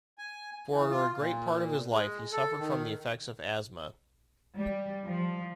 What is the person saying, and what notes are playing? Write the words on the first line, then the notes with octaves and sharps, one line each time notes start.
For a great part of his life, he suffered from the effects of asthma.
G#5
E3
F4
A#2
G#3
A4
D#3
G3
F3